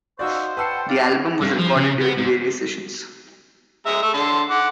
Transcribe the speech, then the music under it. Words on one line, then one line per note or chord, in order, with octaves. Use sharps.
The album was recorded during various sessions.
D#4 F#4 C5 D5 F5 C#6 E6
B4 F#5 G5 A5 E6 C7
D5 F5 F6
G2
F3
C#3
B3
G#2
G#3 E5 A#5
A3 E5
D3 A5 C6
F#5 D6